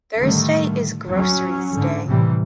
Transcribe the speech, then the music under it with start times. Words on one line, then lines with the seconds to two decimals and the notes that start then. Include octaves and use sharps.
Thursday is groceries day.
0.17 A2 D3 D#3 G3 A3
1.09 F#3 C#4
1.75 G#2 D3
2.07 A2 C3 E3 G3